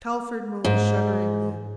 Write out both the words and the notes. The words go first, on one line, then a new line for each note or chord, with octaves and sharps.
Telford moaned shudderingly.
G#2